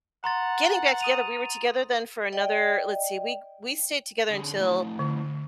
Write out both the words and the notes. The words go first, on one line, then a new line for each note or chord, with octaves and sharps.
getting back together we were together then for another let's see, we we stayed together until
F#5 A#5 C6 A6
D#6 D#7 F7
D5 D#5 G5
D3 G#4
F3 A3 E4
D3